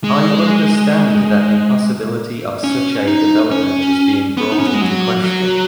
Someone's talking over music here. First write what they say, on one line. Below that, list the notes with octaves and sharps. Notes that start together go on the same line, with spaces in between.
I understand that the possibility of such a development is being brought into question.
G#3
C#4
D#4
C#4
B3
D#4
C#4
B3
G#3
F#3
F#3